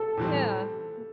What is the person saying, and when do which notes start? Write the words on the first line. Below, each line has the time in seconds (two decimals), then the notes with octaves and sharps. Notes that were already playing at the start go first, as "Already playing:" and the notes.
yeah, y
Already playing: A4
0.17 A2 E3 G3 C4